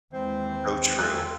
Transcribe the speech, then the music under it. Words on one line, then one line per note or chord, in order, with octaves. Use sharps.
Oh, true.
D#2 E3 G#3 C4 C5
E2 F4 E5 F5 G5 G#5 F#6